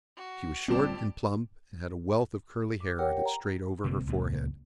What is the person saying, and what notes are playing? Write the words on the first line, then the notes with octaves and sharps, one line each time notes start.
She was short and plump and had a wealth of curly hair that strayed over her forehead.
F#4
D1 F2 G3 C4 D4 G4 D5 E7
D6
G4 A#4 C#5 F#5 G5
A#5
G1 C3 A#3 C4
C#2 A#2